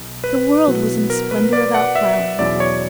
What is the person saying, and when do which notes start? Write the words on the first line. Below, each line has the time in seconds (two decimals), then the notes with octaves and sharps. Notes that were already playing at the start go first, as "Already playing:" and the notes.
The world was in a splendor of out-flowering.
Already playing: B1
0.24 B4
0.67 B2 F#3 B3 E4
1.10 A#4
1.31 B4
1.53 D5
1.74 F#5
1.95 E5
2.39 E2 B2 F#3 C#4 E4 D5
2.60 C#5